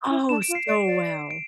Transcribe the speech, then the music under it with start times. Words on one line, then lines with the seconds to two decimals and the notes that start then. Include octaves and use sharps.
Oh, so well.
0.10 E4
0.29 D4 E7
0.42 D7
0.49 F4
0.55 C7
0.67 D5 D7
0.86 D5
1.31 D7